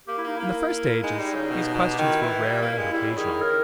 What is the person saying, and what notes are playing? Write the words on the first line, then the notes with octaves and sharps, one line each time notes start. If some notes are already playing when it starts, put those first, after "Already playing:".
In the first ages these questions were rare and occasional.
A#3 G4
E4
A#3 D#4
A#3 E4
G#3 D#4
G3
C#3
B2
B2
G4
D#3 E4
E3
G3
A#3
G#3
G3 E4
C#3
D#3 G#4
C#3 A#4